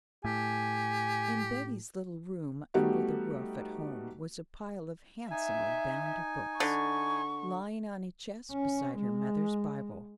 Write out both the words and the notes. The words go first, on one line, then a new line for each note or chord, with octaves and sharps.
In Betty's little room under the roof at home was a pile of handsomely bound books, lying on a chest beside her mother's Bible.
A2 G4 G#5
G3 A3 B3 D#4 F#4 G4
D#4 E5 G#5
D3 C#6
C#4
G#3